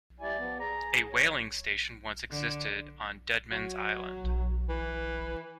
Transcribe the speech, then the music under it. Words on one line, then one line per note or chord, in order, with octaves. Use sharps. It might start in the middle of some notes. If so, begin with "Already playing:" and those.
A whaling station once existed on Deadman's Island.
G3 E4 D5 G#5
F3 B3
G#4 A#5
C#5
D3
F#3
E3